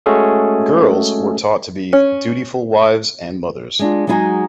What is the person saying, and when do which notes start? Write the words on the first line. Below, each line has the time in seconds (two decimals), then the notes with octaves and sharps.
Girls were taught to be dutiful wives and mothers.
0.06 G#3 A3 C#4 F#4 G#4 A4
1.93 C#4
3.79 G#3 D4 F4
4.07 F#3 G#3 D#4 E4 F#4 G#4